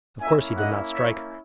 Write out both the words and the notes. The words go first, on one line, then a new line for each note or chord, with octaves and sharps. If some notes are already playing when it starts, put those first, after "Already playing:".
Of course he did not strike.
A#3 C#4 E4 E5 G#5
D#5 F#5
C#5 E5